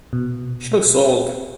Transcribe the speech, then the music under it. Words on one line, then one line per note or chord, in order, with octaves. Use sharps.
She looks old.
B2